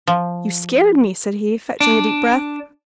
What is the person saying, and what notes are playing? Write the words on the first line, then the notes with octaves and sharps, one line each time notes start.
"You scared me!" said he, fetching a deep breath.
F3
D4